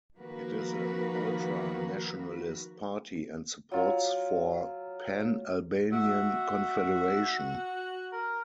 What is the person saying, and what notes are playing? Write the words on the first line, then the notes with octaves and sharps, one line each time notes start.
It is an ultra-nationalist party and supports for pan-Albanian confederation.
D#3 F3 A#3 F#4 A#4 B4
F#3 F4
F#4 E5
A#4